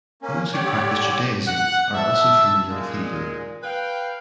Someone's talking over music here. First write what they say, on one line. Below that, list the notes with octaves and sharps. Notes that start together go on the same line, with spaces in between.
Those who practice Judaism are also familiar with Hebrew.
A#3 C#4
D3 G4 C#5 D5
F#5
E5 A5
A#2 G#3
B4 F5 G5